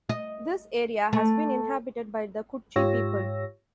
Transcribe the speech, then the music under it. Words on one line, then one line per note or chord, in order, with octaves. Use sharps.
This area has been inhabited by the Kutchi people.
D#5
A3
G#2 F4 G4 C#5 E6 A#6